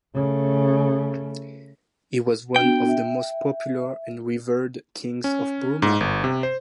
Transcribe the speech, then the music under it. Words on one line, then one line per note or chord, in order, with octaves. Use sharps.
He was one of the most popular and revered kings of Burma.
C#3 A3
B3 D4 F#4 G5
E5
C#4
G#2
G1
C3
C5